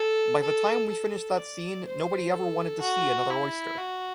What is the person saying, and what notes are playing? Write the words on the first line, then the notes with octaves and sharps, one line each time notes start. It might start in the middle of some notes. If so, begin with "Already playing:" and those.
By the time we finished that scene, nobody ever wanted to see another oyster.
Already playing: A4
A4
A4
D5
C5
A4
F#4
E4
F#4